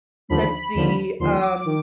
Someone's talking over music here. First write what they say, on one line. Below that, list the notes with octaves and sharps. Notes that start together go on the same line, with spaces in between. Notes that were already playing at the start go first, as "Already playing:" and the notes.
that's the, um,
D#2 D3 F3 B5
D#2 D3 F3
D#2 D3 F3 C6
D6
D#3